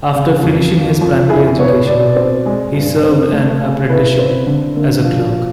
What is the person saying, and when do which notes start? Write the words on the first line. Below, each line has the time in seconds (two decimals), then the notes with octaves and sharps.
After finishing his primary education, he served an apprenticeship as a clerk.
0.14 C#3
0.43 F2
0.72 F3
1.01 F2
1.30 E4 G#4
1.59 B3 C#5
1.87 B2 D5
2.16 C4
2.46 G#3
2.74 G2
3.03 C4
3.32 A3
3.61 C#3
3.90 E4 B4
4.19 C4
4.47 D3
4.76 A#3
5.04 F3